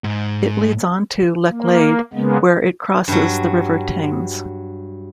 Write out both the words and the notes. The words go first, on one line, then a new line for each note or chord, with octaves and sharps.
It leads on to Lechlade, where it crosses the River Thames.
G#2
A#3
C#3 G#3 A#3 B3
G2 F#3